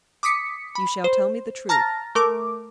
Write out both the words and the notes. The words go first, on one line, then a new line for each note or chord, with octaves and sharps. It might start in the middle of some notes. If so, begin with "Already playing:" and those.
"You shall tell me the truth."
D6 D#6 B6 C#7
B5
C5
A5 A#5 F6 A6 A#6
A3 A#4 D6